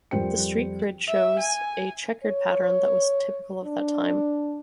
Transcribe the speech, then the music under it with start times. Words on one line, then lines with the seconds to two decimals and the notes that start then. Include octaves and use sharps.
The street grid shows a chequered pattern that was typical of that time.
0.11 F2 G3 A#4 C5 G5 C#7
1.07 E5
1.39 G#5
2.24 C#5
3.65 D4